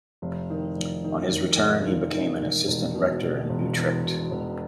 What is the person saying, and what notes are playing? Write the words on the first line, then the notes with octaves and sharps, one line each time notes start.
On his return, he became an assistant rector in Utrecht.
F1
D#3
F1
D#3
D#3
F1
D#3
D#3
E1
E1
B2
E1
E1
E2
B2
E1